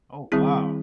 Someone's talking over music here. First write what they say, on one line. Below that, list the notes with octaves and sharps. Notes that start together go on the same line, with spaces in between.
Oh, wow.
D#3 G3 C4 E4 G#4